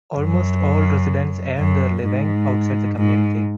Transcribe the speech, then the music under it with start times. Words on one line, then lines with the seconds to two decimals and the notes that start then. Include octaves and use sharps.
Almost all residents earn their living outside the community.
0.18 F#2
1.58 F#2
2.05 G#2
2.97 G#2